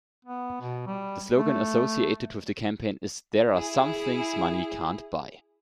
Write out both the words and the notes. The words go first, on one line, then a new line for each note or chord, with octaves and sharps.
The slogan associated with the campaign is There are some things money can't buy.
B3
B2
G3
A3
E4 G#4